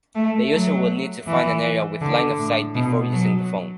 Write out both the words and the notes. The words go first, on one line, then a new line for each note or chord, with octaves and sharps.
The user will need to find an area with line-of-sight before using the phone.
A3
F#3
E3
D3
A2
B2
F#3